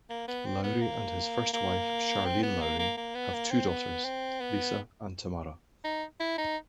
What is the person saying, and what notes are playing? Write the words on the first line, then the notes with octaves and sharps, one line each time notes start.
Loury and his first wife, Charlene Loury, have two daughters, Lisa and Tamara.
A#3
B3
C4
B3
A#3
A#3
C4
B3
A#3
A#3
A#3
B3
A#3
C4
B3
C4
B3
D#4
E4
D#4